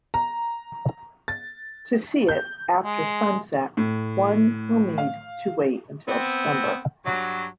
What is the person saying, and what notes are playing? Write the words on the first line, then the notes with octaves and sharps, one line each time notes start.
To see it after sunset, one will need to wait until December.
A#5
A6
G6
G#3
A2
F5
B3 C4
G2 F#3